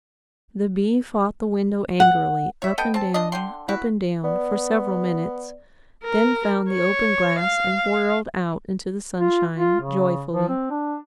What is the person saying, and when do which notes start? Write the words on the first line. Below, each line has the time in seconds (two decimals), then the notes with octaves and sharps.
The bee fought the window angrily, up and down, up and down, for several minutes; then found the open glass and whirled out into the sunshine, joyfully.
2.00 F#5
2.62 C#5 E5
2.78 B3 A4 D#5 G5
2.94 C4 A5
3.14 D4 D#5
3.32 D3 G5 C6
3.69 E4 F#4 B4
4.24 B3 D5
6.04 A#4
6.71 C#5
7.40 F5
9.20 F4
9.57 F4
9.81 C#3
10.32 F3
10.49 C4
10.71 D4